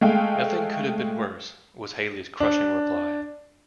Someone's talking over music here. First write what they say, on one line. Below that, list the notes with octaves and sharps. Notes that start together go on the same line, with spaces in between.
"Nothing could have been worse," was Hallie's crushing reply.
G#3 A3 F5 G5
D4